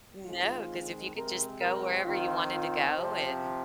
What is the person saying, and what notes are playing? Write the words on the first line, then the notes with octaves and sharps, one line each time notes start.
No, 'cause if you could just go wherever you wanted to go and
D#3 G#3 C4 F4
C3 G#3 C4 A#4
A#4
D#3 C4 F4
F4
C3 F3 C4 C5